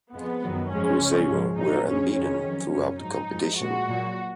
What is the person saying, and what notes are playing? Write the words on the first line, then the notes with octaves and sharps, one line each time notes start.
Cruzeiro were unbeaten throughout the competition.
F2 F3 G#3 B3
F#2 D#3 F#3
G#2 F3 G#3 C#4
C#2 C#3 G#3
G#2 F3 G#3
A#2 F#3 D#4
F#2 F3 G#3 C#4
F2 D#3 G#3 C#4
F2 D#3 F#3
F#2 C#3 F#3 C#4
G#2 F#3 D#4
F2 F3 G#3
A#2 G#3 F#4
A#2 F#3